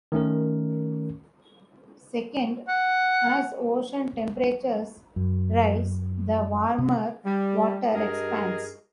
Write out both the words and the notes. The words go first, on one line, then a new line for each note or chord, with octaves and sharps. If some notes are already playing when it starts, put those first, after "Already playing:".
Second, as ocean temperatures rise, the warmer water expands.
D#3 A3 C#4 A#4
F#5
F#2
C3
G3
G2 G#4 A#4 D#5